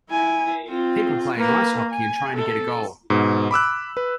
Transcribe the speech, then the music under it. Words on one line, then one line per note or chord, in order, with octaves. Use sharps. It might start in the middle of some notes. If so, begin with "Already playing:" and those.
People playing ice hockey and trying to get a goal.
E4 G#5
C4 F4
A#3 B4
G#5
A4
G#2 B2
B5 D6 E6 F#6
B4